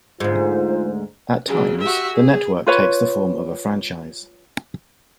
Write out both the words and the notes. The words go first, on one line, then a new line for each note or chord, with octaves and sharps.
At times, the network takes the form of a franchise.
D2 G#2 F4 C5
C#3 F#3
F#4 G4 E5
G#4
F4 B4 C#5